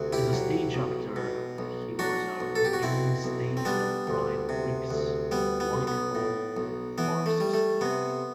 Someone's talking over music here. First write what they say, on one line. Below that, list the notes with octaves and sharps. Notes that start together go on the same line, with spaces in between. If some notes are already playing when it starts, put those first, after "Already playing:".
As a stage actor he was a mainstay of Brian Rix's Whitehall farces company.
Already playing: D2 C3
E4 G4
F#3
B1
B2
B1
F#3 D4 F#4
B1
A4
G4
F#4
B2 C4 E4
B1
C4
G3 B3 D4
D2
C3
D2
G3 B3
B3
B1
B3
A2
B1
E3 B3
A3
G3
A3
C3 B3